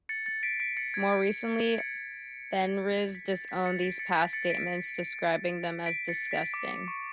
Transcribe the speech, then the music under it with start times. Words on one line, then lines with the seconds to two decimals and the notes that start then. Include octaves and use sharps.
More recently, Fenriz disowned these past statements, describing them as "disgusting".
0.09 A6 C#7
0.26 A6 C#7
0.43 B6 D7
0.60 B6 D7
0.77 A6 C#7
0.94 G#6
1.79 A6 C#7
3.15 B6
3.32 A6
3.49 B6
3.66 A6 C#7
3.83 B6 D7
3.99 A6 C#7
4.17 B6
4.33 A6 C#7
4.50 B6 D7
5.86 B6 D7
6.09 A6 C#7
6.31 B6
6.54 D6
6.71 D6
6.88 C#6